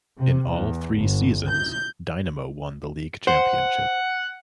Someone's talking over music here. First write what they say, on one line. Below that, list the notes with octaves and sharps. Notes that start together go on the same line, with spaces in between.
In all three seasons, Dynamo won the league championship.
C3
E2
G1
G6
C5 F#5